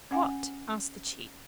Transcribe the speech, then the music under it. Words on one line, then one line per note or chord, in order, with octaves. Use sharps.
"What?" asked the chief.
C#4 F#5 G#5